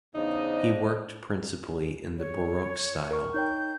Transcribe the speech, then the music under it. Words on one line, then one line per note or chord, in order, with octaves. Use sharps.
He worked principally in the Baroque style.
E2 C#3 D4 D#4 C5 D#5
C#5
A#4 C#6
D#4 C#5 G5 G6